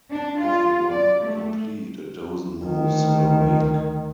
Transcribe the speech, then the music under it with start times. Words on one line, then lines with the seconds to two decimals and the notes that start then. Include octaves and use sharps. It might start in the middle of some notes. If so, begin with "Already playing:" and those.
Often one could complete a dozen moves in a week.
0.11 D4
0.39 F4
0.92 D5
1.23 A3
2.64 D2 D#3